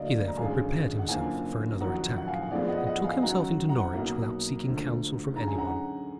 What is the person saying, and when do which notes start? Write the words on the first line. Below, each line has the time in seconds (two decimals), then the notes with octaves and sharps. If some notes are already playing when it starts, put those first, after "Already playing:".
He therefore prepared himself for another attack, and took himself into Norwich without seeking counsel from any one.
Already playing: D2 D3 F#3 A#3 D4 D5 D#5 F5
0.28 A#5
0.37 G#1 F#2 D3 G#3 F5 G#5
0.99 F#5
1.09 F#1 F#2 D3 F3 A#3 F5 G#5
1.81 F#1 F2 D#3 F#3 F#5 A#5
2.18 F#5
2.27 F5 G#5
2.42 F#5
2.51 F2 F3 G#3 B3 D5 F5
2.68 D#5 F#5
2.87 D#5 F#5
3.04 F5 G#5
3.22 F#2 D#3 F#3 F#5 A#5
3.69 F#5 A#5
3.93 B1 B2 A#3 D#4
4.64 D2 D3 F3
5.36 F#2 D3 G#3 D#4 A#5
5.48 G#5
5.58 F#5 A#5